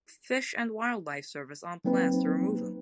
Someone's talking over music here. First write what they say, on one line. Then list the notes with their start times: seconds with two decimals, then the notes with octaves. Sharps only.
Fish and Wildlife Service on plans to remove them.
1.85 F#3 A#3 C4 D#4 B4